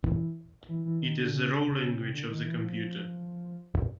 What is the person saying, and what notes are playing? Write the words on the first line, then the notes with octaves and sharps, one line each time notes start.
It is the raw language of the computer.
E3
E3
E3
D#3
D3
C#3
C#3
C3
D3
D#3
E3
F3